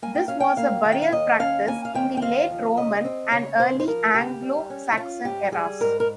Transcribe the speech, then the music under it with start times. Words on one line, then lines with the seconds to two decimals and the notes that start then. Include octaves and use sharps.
This was a burial practice in the late Roman and early Anglo-Saxon eras.
0.02 A#3 G#5
0.15 G5
0.28 C#4 F5
0.40 G5
0.57 A#3 F5
0.85 D#3
0.92 G5
1.02 F5
1.12 D#2 D#5
1.39 C#4 F5
1.67 A#3 G#5
1.85 F5
1.94 D#2 G5
2.17 G5
2.22 C4 F5
2.50 F3
2.77 C#3 D#5
3.05 C4
3.32 C#3 C#5
3.60 C#3 C5
3.80 C5
3.87 F3 A#4
4.14 C#3 G4
4.42 G3
4.70 C#4
4.92 D#4
4.97 C#4 F4
5.25 G#2 G4
5.52 G3 G#4
5.80 G#2 A#4
6.00 A#4